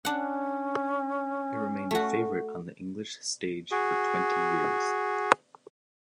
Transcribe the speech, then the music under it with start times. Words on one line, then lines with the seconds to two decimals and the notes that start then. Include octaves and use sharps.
It remained a favourite on the English stage for twenty years.
0.05 C#4 D4 F#5
1.91 A3 F#4
3.71 F#4 G#4